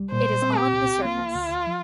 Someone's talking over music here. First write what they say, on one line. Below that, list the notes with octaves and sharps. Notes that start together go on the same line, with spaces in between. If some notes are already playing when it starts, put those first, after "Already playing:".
It is on the surface.
Already playing: C2 G3
A#2 C5
C4
G4
C2
A#3 F4
D2
F3